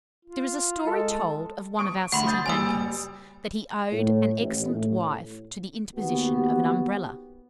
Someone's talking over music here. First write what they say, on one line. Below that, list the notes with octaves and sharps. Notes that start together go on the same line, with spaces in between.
There is a story told of one of our City bankers, that he owed an excellent wife to the interposition of an Umbrella.
F4
G#3 A4
C#6 D#6 D7
D2 F#5 B5 C6
D#6 G6 A6
F#1 G3 G#5 B5 D#6 E6
A2
A1
A2
D#2 B3 F#4 G4